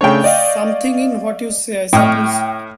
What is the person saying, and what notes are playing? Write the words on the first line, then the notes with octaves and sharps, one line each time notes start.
Something in what you say, I suppose.
C#3 A3 D4 C#5 G5
D5 D#5 F5
A2 D#5 G5 C#6 F6